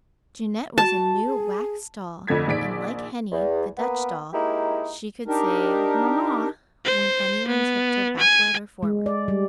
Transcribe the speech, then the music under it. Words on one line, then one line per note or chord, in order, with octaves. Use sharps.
Jeanette was a new wax doll, and like Henny, the Dutch doll, she could say "Mamma" when anyone tipped her backward or forward.
F#4 A5
G#4
F2 D3 A3 G#6 B6
A#1 D#3 D5 B6 D7
E2
A#3 B3
G#3 A#3 D#4 E4 G4
D4 D#4 G4 A#4
C5
B3
G#5
G#3
D5
G3